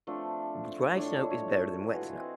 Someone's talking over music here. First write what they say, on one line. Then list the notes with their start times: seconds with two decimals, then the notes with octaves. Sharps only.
D dry snow is better than wet snow.
0.07 F3 A3 C4 D4
0.95 A2 D4 C#5 D#5
1.30 C#5
1.92 E3 F4 F#4 G#4
2.16 C4 D#5